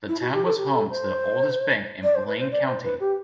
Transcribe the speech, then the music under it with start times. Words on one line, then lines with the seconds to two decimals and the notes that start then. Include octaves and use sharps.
The town was home to the oldest bank in Blaine County.
0.08 E4
0.21 F#4
0.33 G4
0.45 A4
0.57 G4
0.73 A4
0.90 C5
2.03 D5
2.15 C5
2.27 B4
2.40 C5
2.52 D5
2.68 C5
2.84 B4
3.00 G4